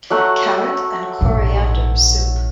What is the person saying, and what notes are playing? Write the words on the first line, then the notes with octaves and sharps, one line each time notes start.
Carrot and coriander soup.
F#3 A3 F#5
A#1 G#2